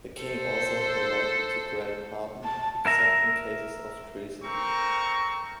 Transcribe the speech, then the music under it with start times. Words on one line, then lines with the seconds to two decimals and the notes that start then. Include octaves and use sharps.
The king also had the right to grant pardon except in cases of treason.
0.22 A4 C5
2.44 A5
2.86 A#4 E5 A#5
4.43 A3 C4 A#4 A#5 C#6